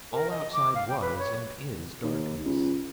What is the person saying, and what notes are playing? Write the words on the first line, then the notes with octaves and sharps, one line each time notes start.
All outside was and is darkness.
A#4
D#5
D6
F5
G5
B4
C#5
D#2
C#2